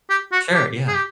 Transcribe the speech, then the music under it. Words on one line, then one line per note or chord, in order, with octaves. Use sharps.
Sure, yeah.
G4
F#4
G4
G#4
G4